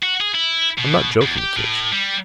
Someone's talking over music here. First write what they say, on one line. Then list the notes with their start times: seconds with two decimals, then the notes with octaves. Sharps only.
I'm not joking, Kinch.
0.03 F#4
0.20 G#4
0.34 E4
0.78 B2
1.21 E2
1.38 G4
1.56 A2
1.92 G3